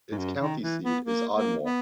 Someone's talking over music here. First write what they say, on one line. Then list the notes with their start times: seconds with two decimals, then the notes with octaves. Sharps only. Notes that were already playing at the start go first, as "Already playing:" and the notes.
Its county seat is Ardmore.
0.11 G#2
0.18 F#2
0.40 D#3
0.62 E3
0.83 B3
1.04 A#3
1.35 A#3
1.63 B3